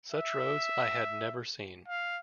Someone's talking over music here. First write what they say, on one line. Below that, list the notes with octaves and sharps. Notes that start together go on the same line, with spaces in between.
Such roads I had never seen.
E5
F5